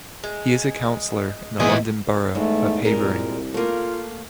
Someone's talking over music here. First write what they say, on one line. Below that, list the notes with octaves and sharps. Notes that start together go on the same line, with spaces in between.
He is a councillor in the London Borough of Havering.
G#3
E2 A#2 B3 E4 G#4 D#5
E2 G#2 A3
C2 A#2 G#3 A#4
A3 A#3 F4